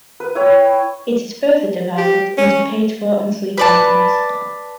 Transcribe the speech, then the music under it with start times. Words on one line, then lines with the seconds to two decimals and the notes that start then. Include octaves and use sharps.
It is further divided into paid for and free titles.
0.20 B4
0.35 E4 C#5 G5
1.97 G4
2.38 C#4
3.58 B4 D5 A5